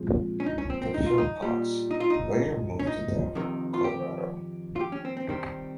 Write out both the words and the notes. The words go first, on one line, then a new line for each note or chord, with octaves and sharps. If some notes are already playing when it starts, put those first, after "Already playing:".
The Philpotts later moved to Denver, Colorado.
Already playing: A#2 F3 G#3 C4
C#4
D#4
C#4
C4
C4
D#4
F4
D#4
A#2 G3
D#4
F4
D#4
C#4
D#4
F2 C3 D#3
F4
G4
F4
G4
C#4
C4
C4
C3 D#3 G3 C4